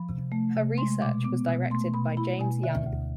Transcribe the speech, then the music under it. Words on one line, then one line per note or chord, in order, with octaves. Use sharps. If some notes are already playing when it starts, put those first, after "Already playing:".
Her research was directed by James Young.
Already playing: F3 B5
C3
A3
C3
G#3 C6
B2 D6
B3 D6
B2
A3 C6
B2 B5
E4 B5
B2 G#5
D3 E5
D2